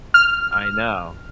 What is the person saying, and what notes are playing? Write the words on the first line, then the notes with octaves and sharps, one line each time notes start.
I know.
F6